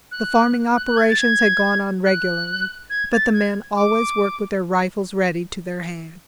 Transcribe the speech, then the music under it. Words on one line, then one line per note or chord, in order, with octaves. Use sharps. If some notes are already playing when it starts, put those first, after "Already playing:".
The farming operations had gone on regularly, but the men always worked with their rifles ready to their hand.
F#6
F#6
F#6
G#6
A6
G#6
F#6
G#6
A6
G#6
D6